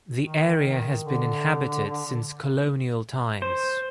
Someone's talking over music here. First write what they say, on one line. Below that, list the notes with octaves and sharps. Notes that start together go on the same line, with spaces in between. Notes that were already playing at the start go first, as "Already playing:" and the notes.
The area has been inhabited since colonial times.
D#3
D3
C5